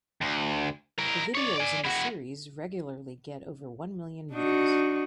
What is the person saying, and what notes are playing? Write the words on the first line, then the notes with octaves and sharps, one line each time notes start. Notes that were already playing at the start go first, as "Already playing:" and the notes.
The videos in the series regularly get over one million views.
D2
E4 A#4
C#5 D5
D5 G#5
E4 F#4
D4 D#4 F#4